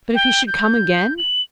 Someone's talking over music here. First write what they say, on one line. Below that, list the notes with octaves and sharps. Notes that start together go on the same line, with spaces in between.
"But if he should come again?"
G5
G6
F#7